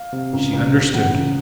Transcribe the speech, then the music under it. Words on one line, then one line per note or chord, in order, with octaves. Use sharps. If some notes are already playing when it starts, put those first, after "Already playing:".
She understood!
Already playing: F5
C3
C#2
C#2
C3
E3 F#5
C#2